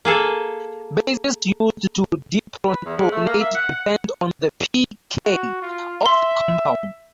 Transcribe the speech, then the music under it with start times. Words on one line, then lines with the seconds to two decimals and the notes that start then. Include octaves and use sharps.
Bases used to deprotonate depend on the p"K" of the compound.
0.05 A#3 G#4 A4
2.67 B4
2.85 E2
2.96 G#2
3.12 A3
3.26 A#3
3.41 E5
3.55 F#5
3.71 F#5
5.25 F#4
5.62 F4
6.06 E5 C6